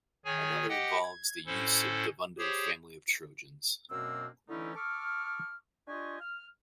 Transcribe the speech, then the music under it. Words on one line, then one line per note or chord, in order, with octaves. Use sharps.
Another involves the use of the Vundo family of trojans.
D#3 G#4 C#5 G#5
G4 D#5 F#5 G5
G#6
A2 C#4 E4 A4 C5
G4 G#4 C5 C#5
F#2 B2 A#3 C4 D4 E6
D3 E3 A3 C#4 D#4 E4
A5 C#6 D6 E6 F6
D4 F4 G4 D#5 G#5 C#6
F6